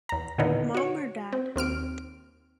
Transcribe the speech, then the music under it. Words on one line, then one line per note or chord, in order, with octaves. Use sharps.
Mom or Dad?
E2 A#5
A#2 D3 D#3 B3 D#4 E4
F#4 C#5
C4
D#2 C4 F6 D7